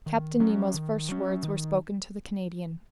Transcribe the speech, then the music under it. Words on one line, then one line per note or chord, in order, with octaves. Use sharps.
Captain Nemo's first words were spoken to the Canadian.
D#3
F#3 C#4
D#3
F#3 C#4
D#3